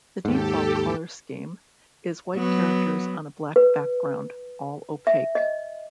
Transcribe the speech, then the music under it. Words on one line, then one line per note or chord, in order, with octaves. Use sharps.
The default color scheme is white characters on a black background, all opaque.
D#2 G#2 G4 A4
F#3 B3
B4
E5
D#5